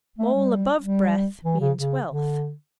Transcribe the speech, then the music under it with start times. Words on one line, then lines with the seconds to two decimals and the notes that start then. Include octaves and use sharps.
Mole above breath Means wealth.
0.18 A3
0.34 G3
0.82 G3
1.45 E3
1.61 C#3
1.77 C#3
2.08 D3